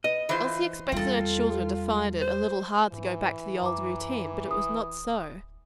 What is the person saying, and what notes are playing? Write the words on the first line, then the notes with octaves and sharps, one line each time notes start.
Elsie expected her children to find it a little hard to go back to the old routine; but it was not so.
B4 D#5
E3 F4 C5
E2 G3 C4 F4 A4
C5
G#2 E3
F#2 A#5 D6
D1 D#6